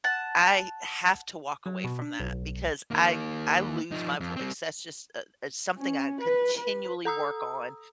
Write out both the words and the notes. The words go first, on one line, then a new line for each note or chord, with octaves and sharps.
I have to walk away from that because I I lose my voice, that's just, uh uh, something I continually work on,
F#5 A5
F#3
B2
D4
B1
D#3 A#3
F3 D#4
F2
G3 C4
C#4
B4
B4
A4 A#5 D#6 E6